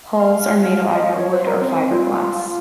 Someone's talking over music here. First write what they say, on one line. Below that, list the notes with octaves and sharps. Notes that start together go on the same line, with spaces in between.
Hulls are made of either wood or fibreglass.
F5
F5
F5
D#5
C#5
C5
A#4
C4
C4
F4